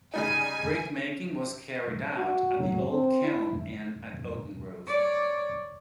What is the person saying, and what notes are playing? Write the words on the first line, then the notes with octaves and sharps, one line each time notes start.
Brickmaking was carried out at the Old Kiln and at Oakengrove.
C#3 G3 D#4 G#5
F#4
F#3
C4
E4
C#5 D5